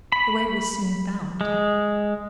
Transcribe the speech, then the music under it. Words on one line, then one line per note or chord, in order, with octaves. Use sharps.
The way was soon found.
B5
G#3